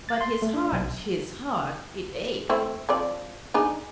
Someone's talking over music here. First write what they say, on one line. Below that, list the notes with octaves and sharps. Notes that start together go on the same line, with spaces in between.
But his heart, his heart ... it ached!
A6
C6
A3
D4
B1
A3 C4 E4
F3 C4 D5
D4 D#4 G#4